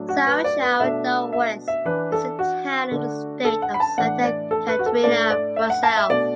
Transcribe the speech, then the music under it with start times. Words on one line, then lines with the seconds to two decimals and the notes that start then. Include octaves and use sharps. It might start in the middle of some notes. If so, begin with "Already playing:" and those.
São João do Oeste is a town in the state of Santa Catarina, Brazil.
Already playing: A2 F#3 D4
0.09 F#4
0.27 B4
0.44 D5
0.62 B4
0.80 B2 A3 D4 E5
1.33 E5
1.68 E5
1.85 E3 D4 B4
2.12 A4
2.39 F#4
2.91 D3 A3 D4
3.45 A4
3.62 F#5
3.74 B5
3.80 A5
3.98 A2 E3 D4 F#5
4.24 D5
4.51 A4
4.68 B4
4.79 F#4
4.86 A4
5.04 A2 A3 D4 D5
5.30 D5
5.56 E5
5.70 F#5
5.83 A5
5.97 E5
6.10 B2 A3 D4 D5